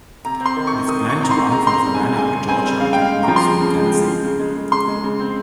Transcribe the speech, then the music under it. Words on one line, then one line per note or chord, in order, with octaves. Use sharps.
It is planned to run from Savannah, Georgia, to Knoxville, Tennessee.
C3 A#5
C4
C6
D#3
C3 C#6
D#3 D#6
C3
C#6
C4 A#5
C6
D#3
C#3 A#5
C4 C6
A#5
G3
G#5
C#3
C#3 G#5
C#3
C4 G#5
G3
C#3 F5
G#3 G5
F5
G#3
F3 A#5
C6
C#3 A#5
C#3
G#3
C#3
C#3
C#3
G#3
G#3
C#3 C6
G#3
C#3
C4